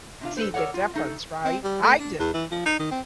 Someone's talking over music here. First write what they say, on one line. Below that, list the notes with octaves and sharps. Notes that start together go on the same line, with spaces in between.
see the difference, right? I didn't.
C3 D4 F4
A4 B4 C5
A4 A#4 C#5 D5 F#5
F4
A3 D#4 A4
C4
G3
A3
D4
E2
E3
F3
D#4
D#3
C4